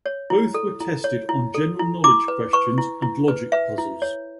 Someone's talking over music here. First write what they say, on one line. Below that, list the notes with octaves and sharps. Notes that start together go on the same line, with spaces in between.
Both were tested on general knowledge questions and logic puzzles.
C#5
E4
A4
E4
C#5
E4
A4
E4
E4 D6
B4
B4 C#6
E4
E4
B4
B4 E5
E4
C#5